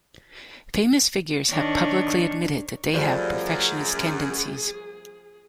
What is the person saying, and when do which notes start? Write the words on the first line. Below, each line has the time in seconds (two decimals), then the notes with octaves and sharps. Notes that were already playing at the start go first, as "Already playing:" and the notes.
Famous figures have publicly admitted that they have perfectionist tendencies.
1.50 D#3 D4 C#5
2.94 F#2 F3 G3 A3 G#4